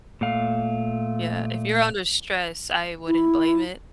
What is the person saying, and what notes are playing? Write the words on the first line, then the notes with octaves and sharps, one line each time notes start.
Yeah, if you're under stress, I wouldn't blame it
A#2 A3 F5
E4